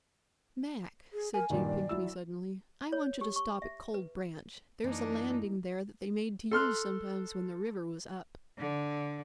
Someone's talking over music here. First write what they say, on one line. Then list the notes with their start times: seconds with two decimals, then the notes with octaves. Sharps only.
"Mac," said J. Pinkney suddenly, "I want you to stop at Cold Branch. There's a landing there that they made to use sometimes when the river was up."
1.13 G#4
1.34 A#4 G#5
1.50 G2 A#2 D#3 D5
1.89 F#3 E4 E6
2.92 C#5
3.21 G4
3.36 C#6
3.62 E5
3.94 B4
4.84 F#2 E3 A#3 D4 D#4
6.51 A4 C6 F6 F#6
8.58 D3